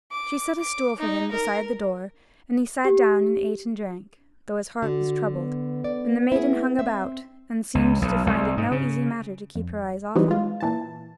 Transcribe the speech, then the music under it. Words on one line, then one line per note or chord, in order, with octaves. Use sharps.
She set a stool for him beside the door and he sat down and ate and drank, though his heart was troubled; and the maiden hung about, and seemed to find it no easy matter to keep her eyes off him.
D6
D6
D#4
A#4
G4
D3 F#4
B3
D5
E4 G#4
C4 E5
C#2
B1
C2
G#2
C#3
F2
E3 F#3 G3 B3 C4 D#4
G#3 F4
A#2 E3 A5